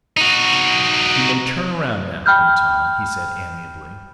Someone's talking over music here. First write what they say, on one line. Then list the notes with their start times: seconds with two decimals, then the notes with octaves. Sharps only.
"You may turn around now, Quintana," he said amiably.
0.17 D#4 F#4
2.26 G5 B5 F6 G6